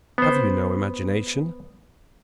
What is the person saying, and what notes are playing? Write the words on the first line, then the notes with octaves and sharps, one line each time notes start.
Have you no imagination?
B3 C5